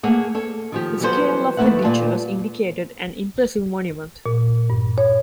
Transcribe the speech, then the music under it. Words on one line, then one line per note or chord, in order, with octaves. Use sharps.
The scale of the ditches indicated an impressive monument.
A3 A#3 G#4 A#4 C#5 F#5
A4 C#5
D#3 F3 G4
E3 F#3 G3 B3 A4 C5
D#2 A3 C#4 B4 E5 F#5
A#2 G3 F4 D5 A5
A#2
G2
C#5